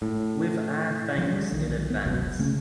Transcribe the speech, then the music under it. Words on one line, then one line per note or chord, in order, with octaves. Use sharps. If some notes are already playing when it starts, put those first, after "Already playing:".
With our thanks in advance.
A2
F3 C#4
D3 G3
B1 D#3
B3
F#1 C#2 B2 F#3
C#3 A3 C#4